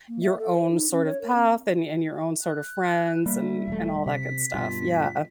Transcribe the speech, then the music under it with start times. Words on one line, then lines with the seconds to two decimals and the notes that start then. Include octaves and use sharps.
your own sort of path and and your own sort of friends and and all that good stuff. Yeah.
0.08 A#3
0.23 E5
0.39 A4
0.53 C5
0.71 D#4
0.91 C#4
1.05 C#5
1.21 A#4
1.35 C4
2.42 F#6
3.26 G3 A#3 E5
3.67 E1 A3
4.06 C3 B6
4.54 G2 B2 F4